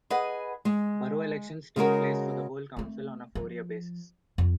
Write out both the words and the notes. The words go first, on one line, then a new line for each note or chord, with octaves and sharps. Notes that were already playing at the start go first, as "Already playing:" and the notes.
Borough elections take place for the whole council on a four-year basis.
G#4 B4 D#5 F#5
G#3
C#3 G#3 F#4 A#4
A3 C4
F3
F2